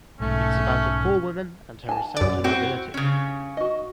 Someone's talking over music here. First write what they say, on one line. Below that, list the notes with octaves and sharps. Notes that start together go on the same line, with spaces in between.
It’s about a poor woman and her ascent to nobility.
B1 G#2 A3 C#4
G#5 A5
F#2 D5
C4 E4 F#4 G4
C#3 C#4
F#4 D#5